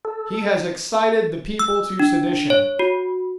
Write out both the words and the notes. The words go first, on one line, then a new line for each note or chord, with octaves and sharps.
He has excited the people to sedition.
A4
E6
D4
C#5
F#4